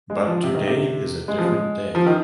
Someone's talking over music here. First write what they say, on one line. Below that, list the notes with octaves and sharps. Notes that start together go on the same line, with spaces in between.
But today is a different day.
G#3
F3
C3
D#3
C3
G#3
F3
G#3
F3
D#3